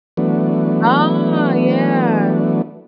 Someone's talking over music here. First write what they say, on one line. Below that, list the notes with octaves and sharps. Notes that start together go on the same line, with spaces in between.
Oh, yeah.
E3 F#3 A3 B3 D4